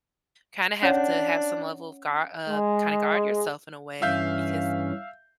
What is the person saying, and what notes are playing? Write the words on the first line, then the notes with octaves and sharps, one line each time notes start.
kinda have to have some level of guar uh, kinda guard yourself in a way because,
C#4 D4 C#5 F#5
G#3
G2 E3 C#4 E5 F5 G6